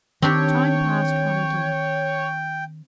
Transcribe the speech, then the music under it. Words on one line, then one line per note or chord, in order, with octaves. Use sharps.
Time passed on again.
D#3 C4 D4 G4 C#5 G5